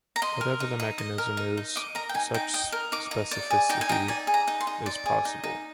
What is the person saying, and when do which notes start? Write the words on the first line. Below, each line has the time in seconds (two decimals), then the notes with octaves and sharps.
Whatever the mechanism is, such specificity is possible.
0.16 A#5
0.22 D#5 C6
0.41 A#4
0.60 D#4
0.80 D#4
0.98 D#5
1.18 A#4
1.37 D#4
1.57 D#4
1.76 D#5 D6
1.95 A#4 A#5
2.09 G5
2.14 D#4 G#5
2.34 D#4 G5
2.54 D#5 G5
2.72 A#4
2.92 D#4 D6
3.11 D#4
3.31 D5
3.50 G#4
3.69 D#4 G5
3.81 G#5
3.89 D#4 G5
4.08 D5 G#5
4.27 G#4
4.34 A#5
4.47 D#4
4.61 C6
4.67 D#4
4.86 D5
5.06 G#4
5.25 D#4
5.44 D#4